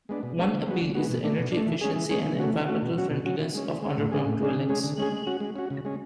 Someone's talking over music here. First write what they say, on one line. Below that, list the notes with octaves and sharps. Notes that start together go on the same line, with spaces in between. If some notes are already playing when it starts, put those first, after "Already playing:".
One appeal is the energy efficiency and environmental friendliness of underground dwellings.
G#3 B3 D4
B2
G#3 B3 D4
D3
G#3 B3 F#4
D3
G#3 B3 F#4
B2
A3 D4
B2
D4
A3
E3
G#3 C#4 G#4
E3
G#3 C#4 G#4
E3
A3 C#4 F#4
E3
A3 C#4 F#4
B2
F#3 C#4 F#4
B2
F#3 C#4 F#4
E3
G#3 C#4
E3
G#3 C#4
A2
G#3 D4 G#4
A2
G#3 D4 G#4
D3
G#3 C#4 G#4
D3
G#3 C#4 G#4
G#3
C#4 F#4
G#3
C#4 F#4
C#3
G#3 C#4